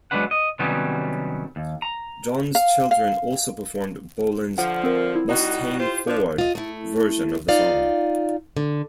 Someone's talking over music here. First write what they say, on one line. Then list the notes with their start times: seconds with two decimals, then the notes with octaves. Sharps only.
John's Children also performed Bolan's "Mustang Ford" version of the song.
0.11 F#3 G#3 A3 D4 B4 F#5
0.31 D#5
0.59 C3 D#3 F#3 G3 B3 C#4
1.56 D#2
1.82 A#5
2.55 F5
2.91 F5
4.58 D3 F3 F#5
4.84 C4 A#4
5.15 E4
5.29 G3 D#4 F#4
5.79 F4 G4 C5
6.07 F3 D4
6.38 F4 D#5
6.55 A3 E4
7.48 D#4 F4 D5 F5
8.57 D3